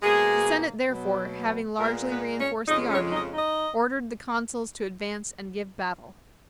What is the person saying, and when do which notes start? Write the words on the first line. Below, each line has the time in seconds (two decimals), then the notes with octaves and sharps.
The senate therefore, having largely reinforced the army, ordered the consuls to advance and give battle.
0.02 B2 G#3 A#3 G#4
0.90 B2 F#3 B3
1.79 A#2 G#3 A#3 B3 A#4
2.08 B3 B4
2.38 C#4 C#5
2.67 F2 C#3 G#3 D#4 D#5
2.89 C#4 C#5
3.11 D#4 D#5
3.33 D#4 D#5